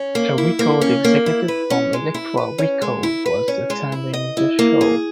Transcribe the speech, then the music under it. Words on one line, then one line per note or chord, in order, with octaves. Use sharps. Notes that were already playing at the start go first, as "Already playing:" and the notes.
A record executive from Elektra Records was attending the show.
Already playing: C#4
A#3
E4
A#3
C#4
A#3
E4
B4
C#4
G#3
E4
B4
C#4
G#3
E4
B4
C#4
G#3
E4
D#5
E4
A#3
G#4